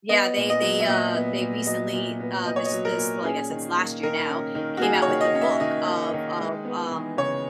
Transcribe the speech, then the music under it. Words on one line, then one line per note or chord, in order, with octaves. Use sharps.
Yeah, they they, uh they recently, uh this this well, I guess it's last year, now, came out with a book of of, um
B3 D#5
A#2
D#5
F#3
E5
A#2 D#5
B3
A#2
F#3 D#5
A#2
B3
A#2 D#5
C#5
D#5
F#3
A#4
A#2
C#4 G#4
D#3
A#3
D#3 A#4
C#4
D#3
F#4
A#3 G#4
C#5
D#3
D#5
C#4
E5
D#3 D#5
A#3
D#3
G#3
B3
E3
C#3 C#5